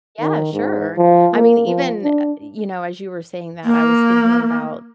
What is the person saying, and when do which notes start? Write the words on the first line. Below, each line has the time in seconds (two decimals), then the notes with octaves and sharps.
Yeah, sure. I mean, even, u uh, you know, as you were saying that I was thinking about
0.21 D#3
0.53 G#2
0.97 F3
1.34 A#3
1.67 F3
2.03 D4
3.64 A#3